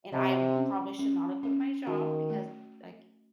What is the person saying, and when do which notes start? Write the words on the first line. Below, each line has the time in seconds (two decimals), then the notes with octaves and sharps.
and I probably should not have quit my job because, like,
0.12 C3 D#5
0.56 C#4
0.99 C#4
1.43 C#4
1.87 D#3 F#4
2.30 A3